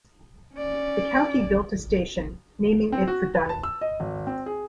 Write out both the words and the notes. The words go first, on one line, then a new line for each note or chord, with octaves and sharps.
The county built a station, naming it for Dunning.
C#4 D5
C4
F#4
B4
A5
E6
D#5
G#1
C4
G#4